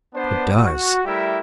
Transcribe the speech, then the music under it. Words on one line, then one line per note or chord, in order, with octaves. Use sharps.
"It does."
B3 D4 C5
F#4
G3 A3 E4 G4 A#4 E5